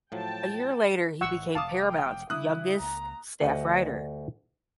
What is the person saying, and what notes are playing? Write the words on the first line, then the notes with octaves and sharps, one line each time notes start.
A year later he became Paramount's youngest staff writer.
A2 F3 F#3 G5 A5
G#1 E3 F#5 C#6 E6
F1 F5 A5 D6 D#6
G5
C#3 G3 D4 E4 D#6 F#6
C#2 G3 A#3 A#5
D2 G4 D#5 F#5